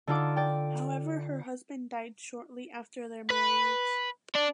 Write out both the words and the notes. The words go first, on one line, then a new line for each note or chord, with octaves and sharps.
However her husband died shortly after their marriage.
D3 D#4 F4 A4 F#5 D6
D5 G5
B4
D4